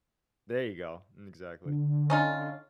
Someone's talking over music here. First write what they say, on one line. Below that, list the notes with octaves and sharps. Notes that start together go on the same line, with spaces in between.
There you go. Mm, exactly.
D3
C#4 D#4 F4